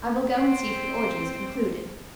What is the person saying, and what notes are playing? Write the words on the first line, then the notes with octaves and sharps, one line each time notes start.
I will go and see if the orgy is concluded.
C4